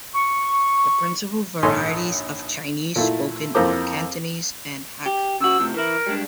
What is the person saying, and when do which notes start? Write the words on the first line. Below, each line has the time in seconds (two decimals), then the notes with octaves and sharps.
The principal varieties of Chinese spoken are Cantonese and Hakka.
0.14 C#6
1.63 A#1 G#2 A4 C#5 G#5 C6
2.96 A#2 A3 E4
3.55 F2 E3 A#3 C5 D6
5.06 G4
5.40 C#3 F#4 E6
5.59 A2 C3 F3
5.74 E3 E4 A#4
6.07 G3 G#3 D4